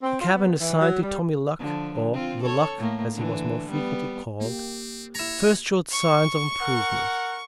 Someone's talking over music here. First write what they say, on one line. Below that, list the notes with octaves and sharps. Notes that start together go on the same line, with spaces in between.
The cabin assigned to "Tommy Luck"--or "The Luck," as he was more frequently called--first showed signs of improvement.
C4
F4
B3
E3
F#3
G3
D3 F3
C4 F4
A4 C#5
A2 A#3
D3 E3
G3 B3
A#3 C4 G4
E4 C#5 A#5
C#6
A#4 F#5